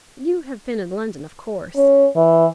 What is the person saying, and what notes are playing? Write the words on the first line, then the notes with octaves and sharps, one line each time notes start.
You have been in London, of course.'
C#4
E3